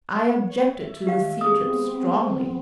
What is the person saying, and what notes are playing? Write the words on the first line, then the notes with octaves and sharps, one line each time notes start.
I objected to the sea trip strongly.
C#5
E5
D#3 G#3 G4 F5
B3 C4 G#4 D#6